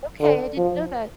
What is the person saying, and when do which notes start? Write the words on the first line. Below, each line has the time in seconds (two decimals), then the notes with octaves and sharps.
Okay, I didn't know that.
0.20 D3
0.57 F3